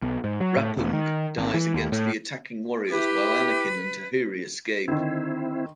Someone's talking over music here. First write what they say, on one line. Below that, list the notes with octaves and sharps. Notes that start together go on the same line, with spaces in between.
Rapuung dies against the attacking warriors while Anakin and Tahiri escape.
B1
G#2
F#3
A2
E1
D#3
G#1
E3
D#2
A2
E4 G4 B4
D3 D#3 C4 E4